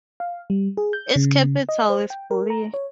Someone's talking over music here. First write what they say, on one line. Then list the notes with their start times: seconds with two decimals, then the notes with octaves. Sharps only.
Its capital is Bulle.
0.20 F5
0.50 G3
0.77 G#4
0.93 G6
1.16 C#3
1.69 D#5
1.90 C5
2.10 G5
2.31 A#4
2.50 A#5
2.74 C#5